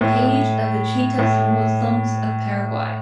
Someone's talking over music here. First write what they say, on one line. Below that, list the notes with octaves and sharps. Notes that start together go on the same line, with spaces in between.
Page of the Chiitas Muslims of Paraguay.
A2
A2